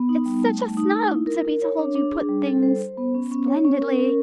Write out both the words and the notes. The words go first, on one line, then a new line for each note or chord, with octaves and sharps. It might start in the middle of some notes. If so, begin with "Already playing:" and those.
It's such a snub to be told you put things splendidly.
Already playing: B3
D#4
G3
A3
A3
D#4
D#4
E4
A#4
A#4
C#5
D4
D4
G#4
G3
A4
C5
C5
B3
C#4
C#4
C#5
C#4
A#4
A#4